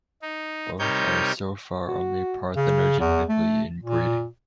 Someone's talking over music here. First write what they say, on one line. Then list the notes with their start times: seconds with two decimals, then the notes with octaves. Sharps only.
Both are so far only parthenogenetically in breeding.
0.22 D#4
0.79 C3 G3 D#4 A#4 C#5 G6
1.88 F#4
2.56 C#3
3.00 E2
3.29 A3
3.83 A#2